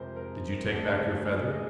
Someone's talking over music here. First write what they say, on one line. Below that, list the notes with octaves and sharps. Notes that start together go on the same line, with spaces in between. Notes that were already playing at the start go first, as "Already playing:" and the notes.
Did you take back your feather?
Already playing: F2 C3 F3 G#3 C4 A#4 C5
A#4
D2 D3 G#3 C4
G#4
D#5